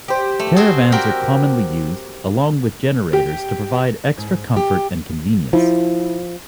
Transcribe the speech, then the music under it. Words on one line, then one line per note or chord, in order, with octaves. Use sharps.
Caravans are commonly used, along with generators to provide extra comfort and convenience.
G4 C5
A3
C4 F#4 G#4
C4 F#4 G4 A#4 G5
G4
G#2
G4
F3 E4